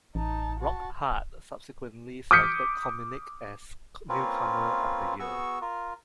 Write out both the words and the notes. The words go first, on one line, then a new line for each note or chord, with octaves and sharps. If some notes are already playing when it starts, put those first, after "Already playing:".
"Rock Hard" subsequently selected Communic as Newcomer of the Year.
A1 D#4 A5
F#4 A5
D6 D#6 F6 G6 B6 C#7
A#3 C4 C#4 F4 B4
B3 F#4 G#4 C#6 E6
F4 A#4